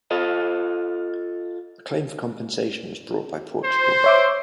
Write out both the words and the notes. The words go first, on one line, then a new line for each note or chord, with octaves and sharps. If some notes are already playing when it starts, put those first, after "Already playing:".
A claim for compensation was brought by Portugal.
F4 A4 D#5
C5
C#5 E5 D6